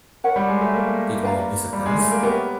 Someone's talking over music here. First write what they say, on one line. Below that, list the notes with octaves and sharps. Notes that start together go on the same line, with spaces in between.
Did we miss a dance?
A#4 C#5 F#5
G3
G#3
A3
A#3
B4 D5 F5 A#5
G3
G#3
A3
A#3
B3 G4 A#4 C#5